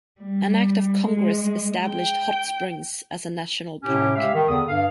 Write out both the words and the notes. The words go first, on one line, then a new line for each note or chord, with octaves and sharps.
An act of Congress established Hot Springs as a national park.
G3
G#3
G5
A2 C3 C#4 G4
G#3 G4 E5 F5
D#3
E2 D3 D#6
G2 F5